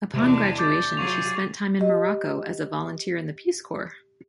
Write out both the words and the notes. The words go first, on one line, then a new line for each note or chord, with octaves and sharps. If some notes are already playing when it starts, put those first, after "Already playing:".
Upon graduation she spent time in Morocco as a volunteer in the Peace Corps.
E2 C3 G#3 D4
D6 G6 A6
F#3 F4 G#4 C#6 F7
G4 D#5